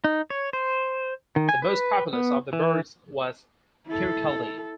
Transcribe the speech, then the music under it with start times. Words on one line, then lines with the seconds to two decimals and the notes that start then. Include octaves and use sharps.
The most populous of the burghs was Kirkcaldy.
0.04 D#4
0.30 C#5
0.53 C5
1.36 D#3
1.49 G#5
1.62 B4
2.13 B3
2.53 E3
3.87 E4 A4